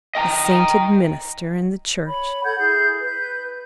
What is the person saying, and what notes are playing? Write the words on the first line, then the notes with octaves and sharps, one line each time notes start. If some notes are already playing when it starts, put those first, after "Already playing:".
The sainted minister in the church!
D#5 G5 G#5 A#5
C#5 B5
A4 F#5 G6 G#6
E4 G#4 G6
B4 G6